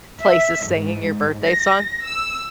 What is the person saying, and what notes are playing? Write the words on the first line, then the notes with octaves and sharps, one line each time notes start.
place is singing your birthday song.
E5
G#2
A#6
E6